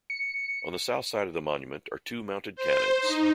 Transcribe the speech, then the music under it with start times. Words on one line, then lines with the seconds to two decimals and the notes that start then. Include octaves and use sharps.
On the south side of the monument are two mounted cannons.
0.10 C#7
2.56 C5
3.02 D#4